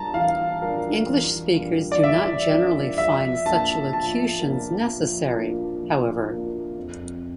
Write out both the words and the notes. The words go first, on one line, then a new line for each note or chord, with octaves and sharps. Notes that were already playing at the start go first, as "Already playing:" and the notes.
English speakers do not generally find such locutions necessary, however.
Already playing: G3 D4 F4 A#4 A5 A#5
E3 F5
G3 D4 F4 A#4
E3
G3 D4 F4 A#4
D5
E3 E5
G3 D4 F4 A#4
F3 E5
A#3 D4 F4 A#4 A5
F3 A5
A#3 D4 F4 A#4
F3
A#3 D4 F4 A#4
F3
A#3 D4 F4 A#4
F2